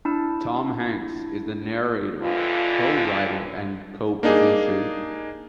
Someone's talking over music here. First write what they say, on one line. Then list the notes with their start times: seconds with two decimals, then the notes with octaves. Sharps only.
Tom Hanks is the narrator, co-writer and co-producer.
0.05 D4 E4 A5
2.20 F2 D3 E3 F4
4.23 A#3 D4 D#4 G#4